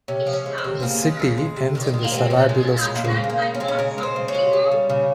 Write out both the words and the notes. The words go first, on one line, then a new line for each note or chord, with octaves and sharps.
The city ends in the Saladillo Stream.
C3 C#4
F3
C#4
G#3
C4
C3
C#3 A#3
G#3
C#3
G#3
C3
D#3
G#3
A#3
C3
C4
A#2 C#4
G#3
A#2
G#3
A#3
C#3 C4
G#3
A#3
C#3
C#4
G#3 C4
C#4
C#3 A#4
G#3
C5
C#3
C#5
G#3
C#3
G3
C#3